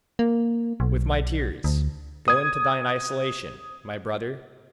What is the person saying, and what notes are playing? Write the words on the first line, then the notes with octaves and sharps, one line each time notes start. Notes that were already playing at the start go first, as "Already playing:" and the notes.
With my tears, go into thine isolation, my brother.
A#3
B1
D2
D#6 G#6